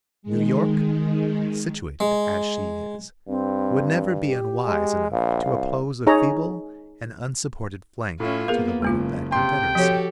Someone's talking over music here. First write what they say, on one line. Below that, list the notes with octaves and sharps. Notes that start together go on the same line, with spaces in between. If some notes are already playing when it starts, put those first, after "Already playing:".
New York, situated as she is, would never be unwise enough to oppose a feeble and unsupported flank to the weight of that confederacy.
D#3 G#3
G#3
G2 C4
G4
G#3
A#1 F5
C2
D#4 G#4 C#5 A#5
A2 C#4 E4 F4
A#3 B3 G#4 A#4 F5
F#1 C#3 G#3 A#3 F4
C3 G5 C6
F3 F#4 G4 A4 C#5